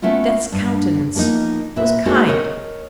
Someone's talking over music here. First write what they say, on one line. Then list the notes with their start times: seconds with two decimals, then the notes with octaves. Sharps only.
Death's countenance was kind.
0.02 A3 B3 C#4 E4 F4
0.52 G2 D4
1.15 F3 G3 A#3 B3 D#4
1.76 A#2 A#3 B4 E5
2.05 G#3 A#3 C4 D#4 F#4 A4
2.27 A#4 C#5 D#5